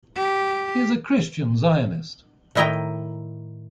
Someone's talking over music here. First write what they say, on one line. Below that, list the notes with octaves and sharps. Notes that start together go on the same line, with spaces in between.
He is a Christian Zionist.
G4
A2 D#3 E4 D#5 G5 A#5